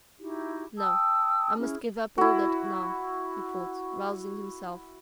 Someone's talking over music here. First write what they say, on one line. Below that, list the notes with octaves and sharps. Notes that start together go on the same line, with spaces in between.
"No, I must give up all that now," he thought, rousing himself.
D#4 E4 F#4 G4
G5 A5 D#6 E6
C#4 E4 G#4 F6
E4 F#4